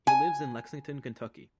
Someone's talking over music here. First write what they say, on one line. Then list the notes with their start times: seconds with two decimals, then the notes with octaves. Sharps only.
He lives in Lexington, Kentucky.
0.07 G#5